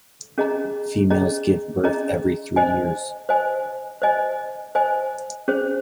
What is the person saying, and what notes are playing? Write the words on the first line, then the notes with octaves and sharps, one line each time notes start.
Females give birth every three years.
C#4 G#4 D#5 A#5
C#4 G#4 D#5 A#5
C#4 G#4 D#5 A#5
C5 D#5 G#5
C5 D#5 G#5
C5 D#5 G#5
C5 D#5 G#5
C#4 G#4 C5